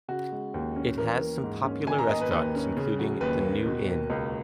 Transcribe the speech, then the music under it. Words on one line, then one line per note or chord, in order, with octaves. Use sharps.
It has some popular restaurants including The New Inn.
C#3 F#4
G#3
D#2
C#4
E3 A#4
A#3
G#2
C#4
D#3 G#5
A#5
A#3 D#5
B4
D#2 B4
C#4
C#3
F#3
D#2 B4
A#3
B2
A#3
C#2